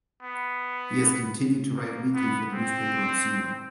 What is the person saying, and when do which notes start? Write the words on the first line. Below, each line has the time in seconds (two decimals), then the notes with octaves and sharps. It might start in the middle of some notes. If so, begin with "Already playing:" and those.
He has continued to write weekly for the newspaper on sumo.
0.23 B3
1.75 A#3
2.14 B3
2.53 C4